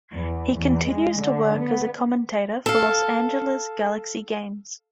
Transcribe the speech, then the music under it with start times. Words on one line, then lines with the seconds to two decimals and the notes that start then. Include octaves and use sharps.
He continues to work as a commentator for Los Angeles Galaxy games.
0.13 E2
0.56 E2
0.89 G#3
1.20 D3
1.57 B3
2.66 A4 F5